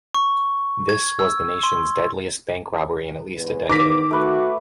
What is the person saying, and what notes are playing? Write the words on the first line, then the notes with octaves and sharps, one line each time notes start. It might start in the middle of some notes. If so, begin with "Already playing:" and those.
This was the nation's deadliest bank robbery in at least a decade.
C#6
G#6
E6
C6
E2 G#2 B4
D#3 D6 A#6 B6
A3 F#4 B4